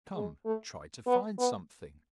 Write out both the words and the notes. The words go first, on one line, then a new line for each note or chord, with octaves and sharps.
Come, try to find something!
G#3
A3
B3
B3